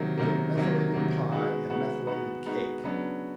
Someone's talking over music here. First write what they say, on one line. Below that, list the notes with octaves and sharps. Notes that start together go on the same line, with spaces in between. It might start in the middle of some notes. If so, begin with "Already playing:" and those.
You get methylated pie and methylated cake.
Already playing: C3 D#3 F#3 A#3
C3 D#3 F#3 A#3
C3 D#3 F#3 A#3
C3 D#3 F#3 A#3
G#3 B3 D#4 F#4
G#3 B3 D#4 F#4
G#3 B3 D#4 F#4
G#3 B3 D#4 F#4
C#3 F#3 B3 D4